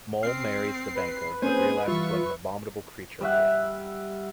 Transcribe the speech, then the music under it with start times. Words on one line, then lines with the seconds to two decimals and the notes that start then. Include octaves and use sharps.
Moll marries the banker, but realizes what an abominable creature I am!
0.23 C4 F6 C7
0.95 B4
1.42 A#3 C4 C#4 G#4 C5 G#5
1.88 E3 G3 F4 E5 C#6
3.21 G3 E5 F#5